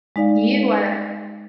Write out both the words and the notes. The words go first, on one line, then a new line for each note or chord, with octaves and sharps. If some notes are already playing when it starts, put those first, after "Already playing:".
You are
G#3 D#4 D5 F5